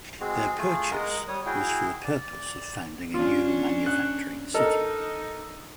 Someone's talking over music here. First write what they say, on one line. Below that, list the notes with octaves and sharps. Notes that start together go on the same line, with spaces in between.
Their purchase was for the purpose of founding a new manufacturing city.
G#3 C4 F#4 G#4
A3 F4 G#4
G#3 A#4 D#5 F#5
G3 C#5 D#6
E4 F#4 G#4 G5
D5
C#4 D4 F4
F#6
D#4 A4 A#4 D#5